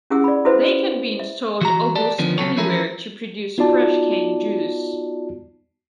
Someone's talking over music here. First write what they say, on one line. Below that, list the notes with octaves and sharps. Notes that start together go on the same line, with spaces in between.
They can be installed almost anywhere to produce fresh cane juice.
C#4 E4 G4 G#4 F#5 E6
D5 B5
E4 F#4 A4 B4 C5 E5
E5
E3 F#4 A#5
B3 G4 D5 A5
F2 D3 D#3 F3 B3 C#4
C#3 F#3 B3 A4 C#5
E3 F3 C#4 E4 G#4 A#4
B3 D#4 F4 F#4 D5 A5